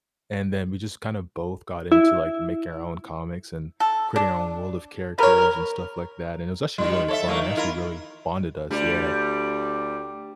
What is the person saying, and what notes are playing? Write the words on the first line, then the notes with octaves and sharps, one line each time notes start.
And then we just kinda both got into, like, making our own comics and creating our own world of characters and stuff like that, and it was actually really fun, and actually really bonded us. Yeah.
E4
A4
D4
A#4 B4 C#5
D#3 G3
A4 C#5 E5
F#3 A3 A#3
D#3
E4 F4 A#4
D2 G3